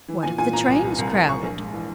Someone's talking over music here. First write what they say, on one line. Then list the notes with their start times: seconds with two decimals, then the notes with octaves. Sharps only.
What if the train is crowded?
0.08 E3
0.23 A#2 G#5
0.38 A#2 G#5
0.53 A#2 A#5
0.68 C2
0.84 C2
0.98 C2
1.13 C2
1.29 C2 C#6
1.43 A#1
1.59 G#2
1.73 E3